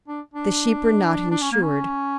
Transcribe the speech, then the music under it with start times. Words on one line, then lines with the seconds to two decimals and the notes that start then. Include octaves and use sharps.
The sheep were not insured.
0.08 D4
0.33 D4
1.31 D4
1.42 C#4
1.52 A#3
1.62 C#4